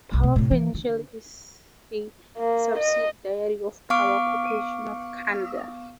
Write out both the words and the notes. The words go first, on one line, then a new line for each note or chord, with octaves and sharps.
Power Financial is a subsidiary of Power Corporation of Canada.
F#1 C2
B2
A2 C3
E3
D3
A#3
D#5
B3 F5 C#6 D6 F6 D7